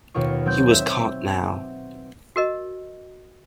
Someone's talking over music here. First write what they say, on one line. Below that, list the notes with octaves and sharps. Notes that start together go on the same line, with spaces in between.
He was caught now.
D#2 B2 F4 C#6
F#3 C4 G6
E5
F#4 A#4 D#5